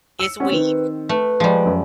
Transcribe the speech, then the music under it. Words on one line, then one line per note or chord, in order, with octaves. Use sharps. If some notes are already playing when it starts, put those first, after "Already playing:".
It's weave.
E6 C#7
C4 C#4 F#5
D#3 C4 B4
A3 B4
F3 G3 G#3
F#2